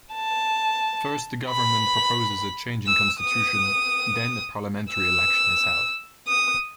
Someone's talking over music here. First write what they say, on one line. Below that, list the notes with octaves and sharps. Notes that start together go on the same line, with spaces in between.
First a government proposes a change in constitution, then a parliamentary election is held.
A5
B5
E6
D#6
E6
D#6